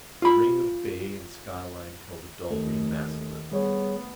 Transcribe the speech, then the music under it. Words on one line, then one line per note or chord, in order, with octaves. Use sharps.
The ring of bay and skyline held a dull green mass of liquid.
F4 B5
D#2 A3
G3 B3 G#4 C#5